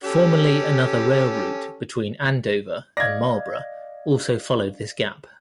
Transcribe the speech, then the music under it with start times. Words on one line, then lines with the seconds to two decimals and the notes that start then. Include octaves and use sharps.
Formerly another rail route between Andover and Marlborough also followed this gap.
0.04 C#4 G4 A4
2.97 D5 D#5 F5 G#6 A#6